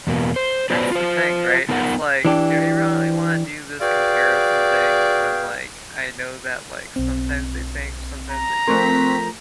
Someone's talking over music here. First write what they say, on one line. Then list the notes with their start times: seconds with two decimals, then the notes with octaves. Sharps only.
That's the thing, right? It's like, do I really wanna do this comparison thing when, like, I know that, like, sometimes they thank, sometimes they don't?
0.07 E2 B2 A#3
0.36 C5
0.70 F#3 B3 F4 B4 C5 D5
0.92 F4 C5
1.69 B3 D#4 F4 A#4 E5 F#5
2.25 E3 D4 G4
3.81 F#4 G#4 B4 D5 F5 G5
6.96 B1 C4
8.31 A#5
8.68 F3 A3 C4 A#4 C6 C#6 F#6 B6